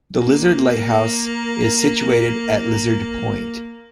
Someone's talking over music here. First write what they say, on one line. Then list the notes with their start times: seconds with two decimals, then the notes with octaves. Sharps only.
The Lizard Lighthouse is situated at Lizard Point.
0.20 A#3